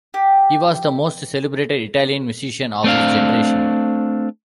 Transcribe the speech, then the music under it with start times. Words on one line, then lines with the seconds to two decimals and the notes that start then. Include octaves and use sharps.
He was "the most celebrated Italian musician of his generation".
0.14 G4
2.84 A3 C4 D4 F5